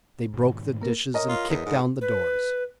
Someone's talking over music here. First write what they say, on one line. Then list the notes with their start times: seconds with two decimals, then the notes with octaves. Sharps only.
They broke the dishes and kicked down the doors.
0.34 G#2 B2 D#3
0.82 A#3 A#4
1.14 A#4 C#5 D#5
1.29 F4
1.49 E2
1.66 G#2
2.01 B4